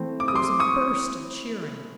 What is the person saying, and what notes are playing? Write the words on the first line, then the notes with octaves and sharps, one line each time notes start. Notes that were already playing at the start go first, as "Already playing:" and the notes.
There was a burst of cheering.
Already playing: E3 A3 C4
D6
D#6
C6 D6
C#6 D#6